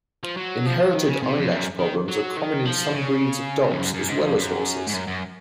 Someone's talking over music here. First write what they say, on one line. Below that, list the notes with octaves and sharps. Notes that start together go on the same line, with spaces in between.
Inherited eyelash problems are common in some breeds of dogs as well as horses.
F3
F#3
F3
D#3
C#3
C3
F2
F#2
D#3
F#3
D#3
F3
C#3
F2
F#2
F#2
G#2
F2
F#2
G#2
F#2
F#2